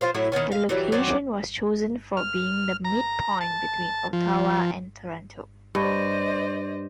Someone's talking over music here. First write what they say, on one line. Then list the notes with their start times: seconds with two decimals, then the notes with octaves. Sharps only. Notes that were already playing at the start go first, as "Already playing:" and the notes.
The location was chosen for being the midpoint between Ottawa and Toronto.
0.01 F4 C5 F5
0.14 A2 F#3 E4 E5
0.32 D#3 E3 B3 C#4
0.52 F5
0.69 E3 F#3 G3
0.92 F#3 C4 F#4 D5
2.17 F6
2.85 A#5
3.41 A5
4.13 F3
5.75 G2 C5 D5 D#5